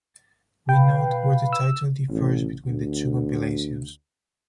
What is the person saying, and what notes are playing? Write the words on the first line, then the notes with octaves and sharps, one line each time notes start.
We note where the title differs between the two compilations.
B2 B4 F5 G5 B5
E6
A1
D2